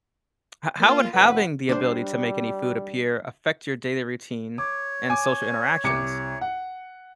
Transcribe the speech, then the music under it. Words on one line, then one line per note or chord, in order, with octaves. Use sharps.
h how would having the ability to make any food appear affect your daily routine and social interactions?
A#3 C#4 F4
F1 B3 B4
G3 D4 C5
C#5 D6
G#5 D6
C2 D6 C#7
F#5